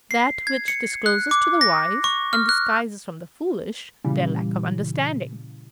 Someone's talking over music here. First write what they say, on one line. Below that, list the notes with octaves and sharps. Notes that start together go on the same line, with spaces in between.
That which discloses to the wise and disguises from the foolish their lack of understanding.
C7
G#6
C#7
F#6
D6
A#6
C#6
F6
F#6
A#2 C#3 E3 G3